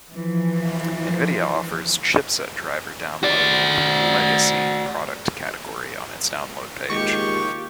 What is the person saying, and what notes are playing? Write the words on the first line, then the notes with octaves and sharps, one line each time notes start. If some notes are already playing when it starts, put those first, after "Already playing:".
Nvidia offers chipset driver download in the "Legacy" product category on its download page.
E3 F3
F#4 D5
D#2 G#3 F4 G4 C#6